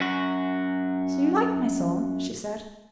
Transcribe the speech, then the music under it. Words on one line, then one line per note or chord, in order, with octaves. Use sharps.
"So you liked my song?" she said.
F#2 F#4